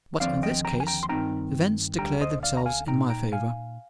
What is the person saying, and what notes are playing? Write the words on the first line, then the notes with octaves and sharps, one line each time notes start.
But in this case, events declared themselves in my favor.
D#2 D3 F3 C4 D5 F5
D#5 G5
G5 A#5
G#5
G5 A#5
C6
G2 D#3 G#3 C4 D#4 G5 A#5
D2 D3 G3 G5 A#5
C5 D#5
D5 F5
A#5
F5 G#5
A#2 G#3 D#4 G5 A#5
G5 A#5
F5 G#5